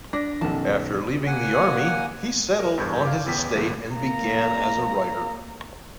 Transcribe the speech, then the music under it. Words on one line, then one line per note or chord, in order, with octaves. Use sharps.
After leaving the army he settled on his estate and began as a writer.
D4 A#6
B1 F#2 D#3 A5
A#3 F#5 G#5
A#4
E2 G2 A#4 C#6 G6 G#6
F5 D6
A1 E2 B3 G5 B6
G1 B2 E3 A#3 A4 B6
A#3 A#5